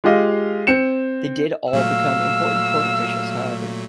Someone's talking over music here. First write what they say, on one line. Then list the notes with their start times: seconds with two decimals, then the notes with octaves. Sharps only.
They did all become important court officials, however.
0.04 G#3 F4 G4 D#5 F5
0.67 C4 C#7 E7
1.73 A#2 F#3 A3 F5 E6